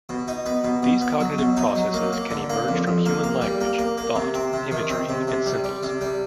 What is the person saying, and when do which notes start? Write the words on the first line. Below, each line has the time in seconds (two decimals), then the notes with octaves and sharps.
These cognitive processes can emerge from human language, thought, imagery, and symbols.
0.09 B2
0.28 D#4
0.46 B3
0.64 B2
0.83 B2
1.01 B3
1.20 F#3
1.38 B2
1.57 D#4
1.75 F#3
1.94 A#3
2.13 A#3
2.31 D3
2.50 A#3
2.68 F2
2.87 F2
3.06 A#3
3.24 A#3
3.41 G3
3.61 A#3
3.79 A#3
3.98 A#3
4.15 C3
4.35 C4
4.53 C3
4.71 D#3
4.90 C4
5.09 C3
5.28 C3
5.46 G3
5.64 G3
5.83 C3
6.01 G3